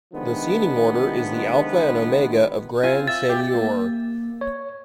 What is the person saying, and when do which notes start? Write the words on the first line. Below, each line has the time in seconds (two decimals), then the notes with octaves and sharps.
The seating order is the Alpha and Omega of Grand Seigneur.
0.13 C3 D#3 F3 G#3 B3 D4
2.83 C4 F4 G#5
3.08 E5 A6
3.30 G4
3.55 A#3
4.41 C#5